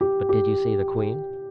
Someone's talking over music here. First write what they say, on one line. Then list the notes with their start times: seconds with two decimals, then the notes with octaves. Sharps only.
"But did you see the queen?"
0.01 G4
0.29 G4